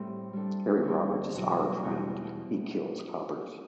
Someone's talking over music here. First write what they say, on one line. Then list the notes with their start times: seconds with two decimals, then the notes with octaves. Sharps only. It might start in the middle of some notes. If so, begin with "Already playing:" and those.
Harry Roberts is our friend, he kills coppers.
Already playing: A2 G3 C4 G4
0.33 G3 D4 A4
0.83 D2 D3 G3 C4
1.33 E2 B2 F#3
1.83 E2 B2 G3 B3 E4